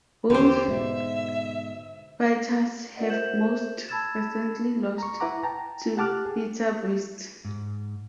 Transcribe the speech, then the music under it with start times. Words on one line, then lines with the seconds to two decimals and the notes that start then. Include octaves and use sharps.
Both fighters have most recently lost to Pieter Buist.
0.30 E2 D3 G4 C5
0.68 G#2 B2 E5
2.96 F4 A#4 D5 D#5 F#5
3.09 A#4 C5 E5 G6 E7 F#7
3.89 A5 B5 E6 G#6 A6 E7
4.98 A#5 C#6
5.20 E4 B4 F#5 A#5 D6
5.43 G5 A5 A#5
5.97 G4 F#5 A5 D6 F6 F#6
6.25 G#4
7.45 G#2